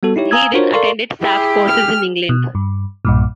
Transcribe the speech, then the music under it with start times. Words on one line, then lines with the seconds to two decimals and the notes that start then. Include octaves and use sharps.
He then attended staff courses in England.
0.03 G3 B3 F#4 A4
0.16 D#4 E4 G4 C#5
0.31 F5 G#5 A#5 D#6 E6 G#6
0.53 D4 F4 F#4 A#4 C5 C#5
0.73 A4 A#4 D5 F5 C6 C#6
1.22 E4 G4 G#4 G5
1.68 F6
2.29 B2
2.55 G2
3.05 B1 G2 A#2